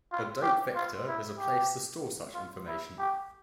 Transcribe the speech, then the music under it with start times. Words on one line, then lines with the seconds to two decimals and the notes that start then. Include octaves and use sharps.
A dope vector is a place to store such information.
0.12 F4
0.43 G4
0.75 F4
1.08 E4
1.38 G4
2.34 F4
2.67 E4
2.99 G4